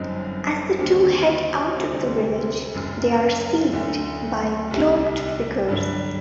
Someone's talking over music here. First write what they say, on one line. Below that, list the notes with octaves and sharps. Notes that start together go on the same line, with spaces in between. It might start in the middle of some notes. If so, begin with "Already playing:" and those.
As the two head out of the village they are seized by cloaked figures.
Already playing: G1 F#2 F#3 C4 D#4
D#2 D3 G3 C4
D2 C3 G3 C4
F#1 F#2 F#3
D2 D3 A3
C2 C3 G3
G2 D3 F#3